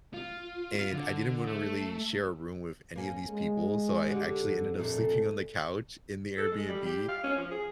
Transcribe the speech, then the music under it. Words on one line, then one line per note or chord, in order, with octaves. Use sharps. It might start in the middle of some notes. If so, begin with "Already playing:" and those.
And I didn't wanna really share a room with any of these people, so I actually ended up sleeping on the couch, in the Airbnb,
F4
F4
D3
A3
A#3 C#4
G#3
D3 F#4 G4
F2
A#2 A3 D4
A4
G#3
G3
G4
F5
C#4
F3
G#4